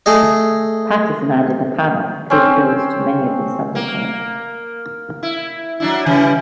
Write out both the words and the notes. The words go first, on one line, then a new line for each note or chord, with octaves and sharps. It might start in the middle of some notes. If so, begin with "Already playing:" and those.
Patterson added a panel of paper dolls to many of these Sunday comics.
A3 G#4 D#5
C4 C#4
A#3
E4
F#3 D4 E4
C#3 E3 G3